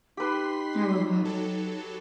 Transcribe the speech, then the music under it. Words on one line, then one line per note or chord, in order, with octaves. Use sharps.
I love that.
D#4 G4 B4 C6 B6
F#3 A4